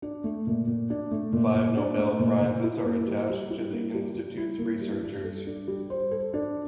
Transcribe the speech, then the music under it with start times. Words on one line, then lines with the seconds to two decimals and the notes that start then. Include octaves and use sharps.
Five Nobel prizes are attached to the Institute's researchers.
0.02 D4
0.24 A3
0.47 A#2
0.67 A#2
0.90 D4
1.11 A3
1.33 A#2
1.55 A#2
1.77 D4
1.98 A3
2.20 A#2
2.41 A#2
2.63 E4
2.85 A#3
3.07 G3
3.29 G3
3.50 E4
3.72 A#3
3.94 G3
4.15 G3
4.37 E4
4.59 A#3
4.81 G3
5.03 G3
5.24 A4
5.47 D4
5.68 G3
5.90 C5
6.11 A4
6.34 D4